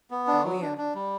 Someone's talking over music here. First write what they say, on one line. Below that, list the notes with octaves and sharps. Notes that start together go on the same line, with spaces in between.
Oh, yeah.
B3
D4
F#3
D4
D4
G3